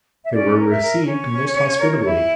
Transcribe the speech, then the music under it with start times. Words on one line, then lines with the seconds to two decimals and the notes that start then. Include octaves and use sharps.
They were received most hospitably.
0.24 E5
0.33 C#4 D5
0.57 A#4
0.70 E5
0.82 A#4
1.06 C#4 C#5
1.31 C#4
1.55 C#4
1.80 A#4
2.04 E4